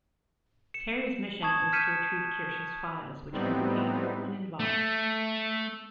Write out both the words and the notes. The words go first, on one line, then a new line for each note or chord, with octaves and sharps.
Terry's mission is to retrieve Kirsch's files, which implicate everyone involved.
C#7 E7
A5 C#6 D#6 G#6 E7
F6 G6 B6 C#7 D#7 E7
A2 G3 B3 C4 D#4
A3